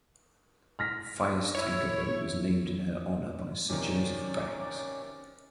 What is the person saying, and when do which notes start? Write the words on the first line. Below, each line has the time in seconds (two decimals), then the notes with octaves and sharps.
Phaius tankerville was named in her honour by Sir Joseph Banks.
0.79 F6 A#6 B6
1.55 E4 C#5
3.70 C3 D#3 C#4 D5